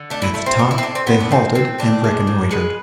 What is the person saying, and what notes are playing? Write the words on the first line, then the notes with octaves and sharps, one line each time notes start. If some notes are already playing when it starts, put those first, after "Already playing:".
At the top they halted and reconnoitred.
Already playing: D3
A3 D4
E4
A3 E4
C4
D3 D4
E4
C4
D3 D4
C4
A2 B3
D4
A2 C4
A2 C4
A2 D4
G#3
A2
G#3 B4